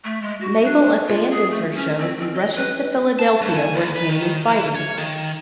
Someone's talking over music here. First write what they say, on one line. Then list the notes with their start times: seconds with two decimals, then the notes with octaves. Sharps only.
Mabel abandons her show and rushes to Philadelphia where Cain is fighting.
0.04 A3
0.22 G#3
0.41 F#4
0.63 D4
1.08 F4
1.31 G#4
1.51 A3
1.75 C#4
1.99 C4
2.20 C4
2.34 D#5
2.56 B4
3.19 A5
3.41 G2
3.56 G#5
3.75 D#2
3.96 B4
4.09 D#3
4.48 E3
4.75 C#5
4.98 D#3